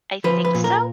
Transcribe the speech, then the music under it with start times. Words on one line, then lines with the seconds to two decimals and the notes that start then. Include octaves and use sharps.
I think so?
0.24 F3 B4
0.45 B4
0.54 A#2
0.64 A#4